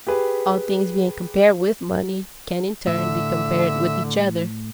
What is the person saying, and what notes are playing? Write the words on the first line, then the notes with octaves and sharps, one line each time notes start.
All things being compared with money, can in turn be compared with each other.
G4 G#4 B4
A2 D3 E5